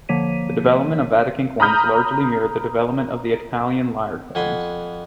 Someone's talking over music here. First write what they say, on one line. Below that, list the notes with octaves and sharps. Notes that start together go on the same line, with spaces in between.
The development of Vatican coins largely mirrored the development of the Italian lire coins.
D3 F3 A#3 C#5 B6 D#7
A#5 B5 D#6 F6 G6
F2 F#5 G#5 B5 C6